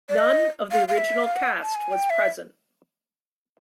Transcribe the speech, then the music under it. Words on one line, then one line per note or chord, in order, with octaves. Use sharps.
None of the original cast was present.
D5
D#5
F5
F5
E5
F5
F#5
A5
G#5
G5
E5